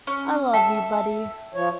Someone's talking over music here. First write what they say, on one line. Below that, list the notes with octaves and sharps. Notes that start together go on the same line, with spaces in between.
I love you, buddy.
C#4
A4 E5 G5 A5
F3 C#5